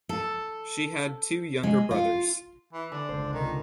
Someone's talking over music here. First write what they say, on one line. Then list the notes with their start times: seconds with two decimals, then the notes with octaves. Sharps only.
She had two younger brothers.
0.09 A4
1.63 G#3
1.91 F4
2.73 E3
2.92 D3 D4
3.09 F#1 C#2 C5
3.33 C3 D#3 F4